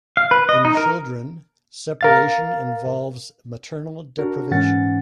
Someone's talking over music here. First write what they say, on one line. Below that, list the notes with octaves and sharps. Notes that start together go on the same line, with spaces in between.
In children, separation involves maternal deprivation.
F5
B4
D#5
D#4
A#4
A#4 F5 A6
D4 F#4 A#4
G#2 E3 C#4 F#5 A6